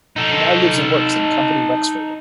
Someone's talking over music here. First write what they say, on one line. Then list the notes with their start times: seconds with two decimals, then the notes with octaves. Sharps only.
He now lives and works in Company Wexford.
0.16 D#4 A4